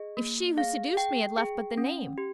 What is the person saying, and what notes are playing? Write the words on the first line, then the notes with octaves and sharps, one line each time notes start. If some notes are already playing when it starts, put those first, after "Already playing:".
If she who seduced me had left but the name.
Already playing: G#4 D#5
A#3
G#4 F5
G#4 G5
G#4
C#4
G4